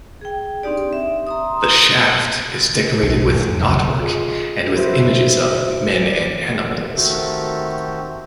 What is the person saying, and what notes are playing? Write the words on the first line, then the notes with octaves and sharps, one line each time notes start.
The shaft is decorated with knotwork and with images of men and animals.
G#4 G5
C4 D4 D#4 G4 D5
E5
A#5 C6 D#6
B1
F2 G#2 A3
B1
F4 G#4 D#5
E4 F#4 B4 C5 D#5 E5
D5
D#3 A3 C4 F#4 G4 A4